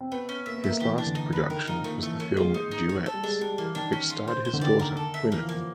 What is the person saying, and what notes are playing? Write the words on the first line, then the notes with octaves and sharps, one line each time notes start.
His last production was the film "Duets", which starred his daughter, Gwyneth.
C4
A3 B3
C#4
A#3 E5
B3
E5
A#3
E3 G4
E3 D4
D3
D#4
B4
D#3 A#4
F3 D#4
A3 A#3
E3 A3
A#3 C#4
G#3 F4
D#4
D#4
C#5
A4
G3
G#3 D4
G3 D4
E3 A#3
D#3 D4
C#4
F4
C5
C5
D3
D#3 D5
A#4
A4
E5
E3 A#3
F3
A#3
F3